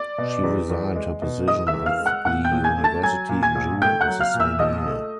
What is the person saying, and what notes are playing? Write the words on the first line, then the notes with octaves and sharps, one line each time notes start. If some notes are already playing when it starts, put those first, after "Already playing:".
She resigned her position at the university in June of the same year.
Already playing: D5 D6
B2
E2
E2
G#3
B2
E2 D#5 D#6
E5 E6
E2
F5 F6
G#3
F#5 F#6
A#2 F#5 F#6
G5 G6
A#1
G#5 G#6
A3
A5 A6
F#3 G#5 G#6
A#2
G#5 G#6
A#1
A3 G5 G6
F#5 F#6
F#3
F5 F6
A#2
E5 E6
A#1 D#5 D#6
A3